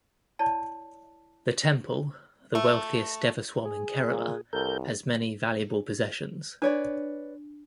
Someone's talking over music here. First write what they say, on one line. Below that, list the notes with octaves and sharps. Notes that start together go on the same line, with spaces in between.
The temple, the wealthiest Devaswom in Kerala, has many valuable possessions.
E4 C#5 D5 A5
A3
G#4
A#2
C2 A4 A#4 G6
D4 B4 C#5 D5